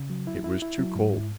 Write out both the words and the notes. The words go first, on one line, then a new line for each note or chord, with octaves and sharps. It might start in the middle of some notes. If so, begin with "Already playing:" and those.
It was too cold.
Already playing: C#3
F#3
E4
E4
E4
F#3
G#2
E4